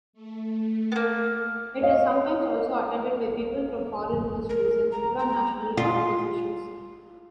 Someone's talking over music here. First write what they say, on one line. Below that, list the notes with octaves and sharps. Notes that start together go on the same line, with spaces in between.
It is sometimes also attended by people from foreign ministries and supranational organisations.
A3
A#3 B3
C#5 D#5 F5
A#4
A#5
A#5
F4